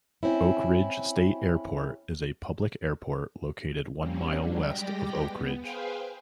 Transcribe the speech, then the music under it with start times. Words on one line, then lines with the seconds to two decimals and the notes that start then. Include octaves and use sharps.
Oakridge State Airport is a public airport located one mile west of Oakridge.
0.23 C4 C#4 E4
4.00 G3 A#3 C4 C#4
4.36 F#3 G3 D4
4.66 G3 G#3 G4 D5 G5 A#6
5.26 B3
5.59 G#4 B4 C5 F5 G5 G#5